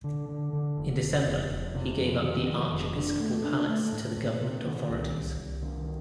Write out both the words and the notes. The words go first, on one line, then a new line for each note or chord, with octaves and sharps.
In December he gave up the archiepiscopal palace to the government authorities.
D3
D3
D3
F1
F1
F1
F1
C3
F2
D#3
F2
F1
D4
A3
D4
A3
A2
A2
C3
D#3
C2
C2
C2
D#3